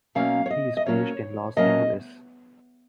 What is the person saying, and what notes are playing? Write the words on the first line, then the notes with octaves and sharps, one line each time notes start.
He is based in Los Angeles.
B2 F#3 A#3 C#4 F5
C#5
D#5
D#5
B2 F#3 A#3 C#4 C#5
B2 F#3 A#3 C#4 D#5